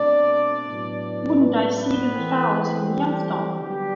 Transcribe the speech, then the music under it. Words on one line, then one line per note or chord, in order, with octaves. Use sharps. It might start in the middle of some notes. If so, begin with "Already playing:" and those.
Wouldn’t I see to the fowls and the young stock!
Already playing: B2 A3 C4 D4 D5
A2 F#3 B3 D4
B3 B4
B3 B4
E3 A3 C4
G3 G4
D3 F#3 G3 B3 D4 G4